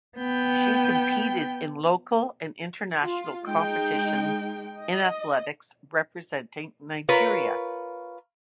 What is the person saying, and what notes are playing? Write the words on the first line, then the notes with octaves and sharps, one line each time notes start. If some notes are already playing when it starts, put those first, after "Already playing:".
She competed in local and international competitions in athletics representing Nigeria.
B3 G5
F4
G#3 D#4 G5
D#5
F4 A#4 B4 C#5